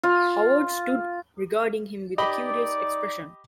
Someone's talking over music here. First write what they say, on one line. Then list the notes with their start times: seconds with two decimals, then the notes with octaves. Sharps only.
Howard stood regarding him with a curious expression.
0.03 F4
2.18 D#4 G4 D5 D#5 B5